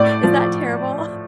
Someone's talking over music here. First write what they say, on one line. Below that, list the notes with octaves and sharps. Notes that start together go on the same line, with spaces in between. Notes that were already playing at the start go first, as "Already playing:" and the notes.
Is that terrible?
Already playing: A2 D5
F3